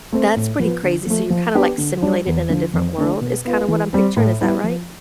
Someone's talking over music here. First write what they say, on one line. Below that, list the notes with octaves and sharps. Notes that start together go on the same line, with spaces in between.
that's pretty crazy. So you're kinda, like, simulated in a different world is kinda what I'm picturing, is that right?
A3 C4
A2
F3 B3 F4 B4
D3
F3 A3
F3
B3 D4 G4
D3
G3 D4
E2
D3 F3
F2
D3 A3 D4
B2
B3 F4 B4
E3
G3 C4
A2
G3 B3 E4 G4
F3